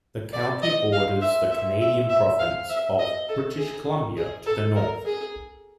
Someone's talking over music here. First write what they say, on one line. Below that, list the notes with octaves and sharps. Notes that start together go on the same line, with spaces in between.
The county borders the Canadian province of British Columbia to the north.
D5
D#5
F5
E5
E5
E5
E5
F5
E5
D#5
A4
G#4
G#4
A4
A#4
G#4